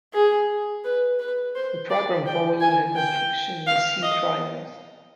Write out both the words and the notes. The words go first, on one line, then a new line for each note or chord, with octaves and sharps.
The programme followed her construction and sea trials.
G#4
B4
B4
C5
D5
G5
G#5
G5
F5
D#5